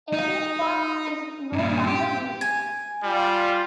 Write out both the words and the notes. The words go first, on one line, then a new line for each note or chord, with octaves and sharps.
Avian Park is no longer used.
D#4
G2 A#2
G4
G#5
G3 F4